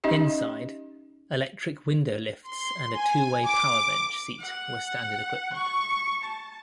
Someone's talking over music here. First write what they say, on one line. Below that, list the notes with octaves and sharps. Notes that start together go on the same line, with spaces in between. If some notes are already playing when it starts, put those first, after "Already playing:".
Inside, electric window lifts and a two-way power bench seat were standard equipment.
C#4 D#4 G4 D#5 E5
C6
G#5
D6
F#5
C#6
A5